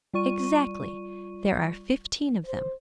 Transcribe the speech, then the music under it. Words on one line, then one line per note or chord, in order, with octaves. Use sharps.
"Exactly; there are fifteen of them."
G3 F4 D5 C#6 D#7
C5